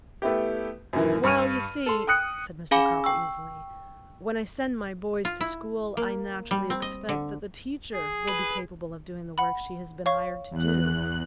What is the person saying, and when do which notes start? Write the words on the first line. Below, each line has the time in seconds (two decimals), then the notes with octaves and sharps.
"Well, you see," said Mr. Cropper easily, "when I send my boys to school I naturally expect that the teacher will be capable of doing the work she has been hired to do."
0.22 A3 B3 E4 G4
0.93 F#2 A#2 D#3 E3
1.23 G2 C#6 F6 D#7
1.86 A4 C6
2.07 G5 D#6 F#6 C#7
2.71 C#4 G#4 F5 G#5 B5 D6
3.04 G5 C#6 E6
5.25 F4
5.41 E4
5.97 A#3
6.51 G3
6.70 C4
6.82 D#5
7.09 D3
7.93 G#4
8.29 B4
9.38 F#5 B5
10.06 C#5 F5 C#6
10.50 E2 F#6